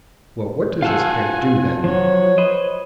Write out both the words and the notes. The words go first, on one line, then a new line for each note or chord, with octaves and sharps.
"Well, what does his hare do, then?"
F4 F#4 F5 G#5 A5 E6
F3 F#3 C#5
B4 C5 D#5